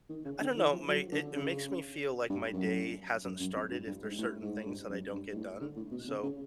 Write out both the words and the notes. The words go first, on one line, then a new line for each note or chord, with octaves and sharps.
I don't know. My it it makes me feel like my day hasn't started if there's certain things that I don't get done. So,
D#3
C#3
D3
E3
F3
F#3
D3
C#3
G2
F#2
F#2
F#2
F2
G2
G2
G#2
A2
G#2
G2
F#2
G2
G#2
A2
D3
A2
B2
C#3
C#3